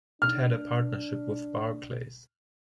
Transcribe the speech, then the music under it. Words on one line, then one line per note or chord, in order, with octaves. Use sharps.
It had a partnership with Barclays.
D4 F6